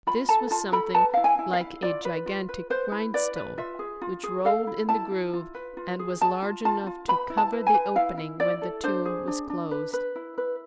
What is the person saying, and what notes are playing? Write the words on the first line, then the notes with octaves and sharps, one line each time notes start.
This was something like a gigantic grindstone which rolled in the groove and was large enough to cover the opening when the tomb was closed.
F4 B5
A4 A5
F4 A5
A4 B5
B4 A5
E4 F5
G#5
E4
F5
E4
F4 D5
B4
F4
B4
B4 C5
E4
B4 D5
B4
F4 E5
G#4
F4
G#4
A4 F5
E4
E4 A5
E4
F4
B4
F4
G#4
G#4 A5
F4
F4 A5
F4
B4 B5
E4
A5
B4
G#5
B4
E4 F5
E4
E4 D5
A4
D4 C5
G#4
D4
D4
B4
B4
E4
B4